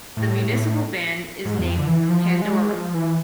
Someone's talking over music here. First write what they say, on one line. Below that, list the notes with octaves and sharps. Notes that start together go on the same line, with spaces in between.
The municipal Band is named "Pandora".
A2
A2
G#2
E2
F2
D3
E3
F3
G#3
F3
E3